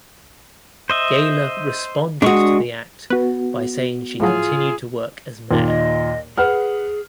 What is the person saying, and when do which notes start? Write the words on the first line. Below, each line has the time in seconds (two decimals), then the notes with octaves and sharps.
Gaylor responded to the act by saying she continued to work as mayor.
0.90 C5 D#5 E5
2.22 G#3 D4 F#4 C#6 D#6
3.10 B3 F#4 B4
4.20 A2 F3 F#3 F4 G#4
5.51 D#2 A#2
5.66 D#5
6.38 G#4 B4 F#5 F6